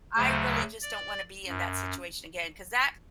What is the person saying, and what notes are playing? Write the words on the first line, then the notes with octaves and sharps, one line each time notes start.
I really just don't want to be in that situation again, 'cause that
D2 C#3 F#3 A3 C5
D5
F#2